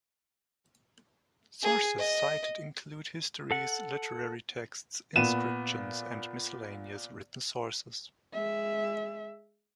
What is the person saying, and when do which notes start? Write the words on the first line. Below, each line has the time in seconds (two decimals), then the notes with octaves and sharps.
Sources cited include histories, literary texts, inscriptions, and miscellaneous written sources.
1.62 G#4
1.98 D#5
3.51 A4 F#5
5.16 A#2 B3 D#7 E7
8.33 G#3 E5